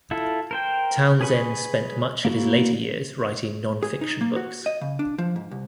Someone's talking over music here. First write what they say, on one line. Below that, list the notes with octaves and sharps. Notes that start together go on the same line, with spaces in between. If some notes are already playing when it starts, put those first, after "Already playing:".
Townsend spent much of his later years writing non-fiction books.
E4 F4 A4
A#4 C5 G5
G#4 B4 G#5 B5 C#6
A#3 E4 F#4
G#4
D#4
A#3
F#4
D#5
C#3
D4
F3
G#2
C2